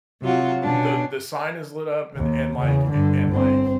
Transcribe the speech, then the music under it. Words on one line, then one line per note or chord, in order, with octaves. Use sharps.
the the sign is lit up and and, like and, like,
C3 F#3 F4 F#4
B2 C#4 D4
D#2
E2 C#3
G2 D3
G1 C4